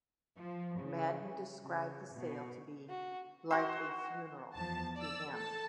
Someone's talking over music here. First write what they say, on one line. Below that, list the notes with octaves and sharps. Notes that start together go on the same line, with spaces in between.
Madden described the sale to be "like a funeral" to him.
F3
C#3
C#3
B2
F#4
F#4 C5
E2 F3 A5
D5 E6
A4 A5